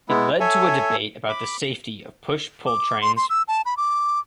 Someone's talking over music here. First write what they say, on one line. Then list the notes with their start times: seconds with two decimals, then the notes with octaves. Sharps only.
It led to a debate about the safety of push-pull trains.
0.09 G#3 B3 E4
0.40 A4 C#5 E5 G#5
1.29 B5 D6
2.66 D6
3.02 C6
3.17 C6
3.30 E6
3.48 A5
3.65 B5
3.77 D6